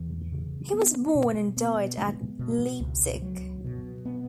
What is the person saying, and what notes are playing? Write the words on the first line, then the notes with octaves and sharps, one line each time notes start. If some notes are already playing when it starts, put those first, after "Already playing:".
He was born and died at Leipzig.
Already playing: E2 E3
C#3
B3
B2
B3
G#3
B2
C#2
F#3
B2
B3